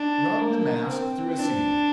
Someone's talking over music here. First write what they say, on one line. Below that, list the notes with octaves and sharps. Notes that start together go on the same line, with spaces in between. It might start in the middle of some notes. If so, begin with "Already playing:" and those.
Rub the mass through a sieve.
Already playing: D4
A#3
C4
D4